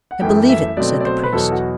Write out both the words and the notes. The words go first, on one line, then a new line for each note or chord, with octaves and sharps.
"I believe it!" said the priest.
F#5
F#2 E3 A3 G5
E5
B2 F#3 A3 C4 D5
D5
C5
B4
E2 B2 F#3 A4
F#4